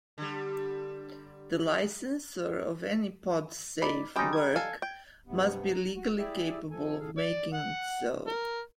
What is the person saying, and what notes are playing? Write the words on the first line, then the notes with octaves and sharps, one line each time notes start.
The licensor of any podsafe work must be legally capable of making it so.
D3 G3
D#4 D5 B5
C#3 F#3 G3 C4 D#4 G#4 G5
G#6
A4 F5 G#5
G5
G2 C3 B3
A#5
F#4
E4 G4 G#4 D5 E5
C3 F3 A4 G#5
A2 C#3 G#4 A4 F5
D5
F#5
A#4